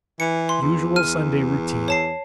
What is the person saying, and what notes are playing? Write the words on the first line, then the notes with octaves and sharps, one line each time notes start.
Usual Sunday routine.
E3 C#7
C6
E2
F6 D#7
C#5 A5 C7